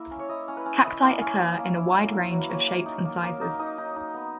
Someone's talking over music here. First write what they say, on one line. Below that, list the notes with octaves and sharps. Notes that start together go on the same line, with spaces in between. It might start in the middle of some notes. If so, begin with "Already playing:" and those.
Cacti occur in a wide range of shapes and sizes.
Already playing: A#3 E4 E5
C#4
C#5
E4 D#5
C#4
B4
C#4
E4 D#5
A#3
C#4
A#3
A#3
E4
F#3
A#3
F#3
B4
A#3 C#5
A#3
D#4
A#3
A#3
D#4
D#4 D#5
D#4
D#4
B3